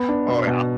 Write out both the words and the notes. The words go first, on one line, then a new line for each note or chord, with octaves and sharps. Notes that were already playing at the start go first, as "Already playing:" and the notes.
Oh, yeah.
Already playing: B3
D4
B2
B2